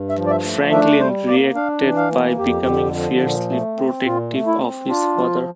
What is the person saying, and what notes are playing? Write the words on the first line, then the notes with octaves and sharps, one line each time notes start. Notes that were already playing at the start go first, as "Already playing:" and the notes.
Franklin reacted by becoming fiercely protective of his father.
Already playing: G2
E5
F3
D5
E5
A3
D4 E5
G3 C5
A#3 D5
D4 F5
E3
F5
A#3
F2 G4
D3
F3
A#2
A3
C4
A#2 F4
A3
E4
C4
D4 F4
F3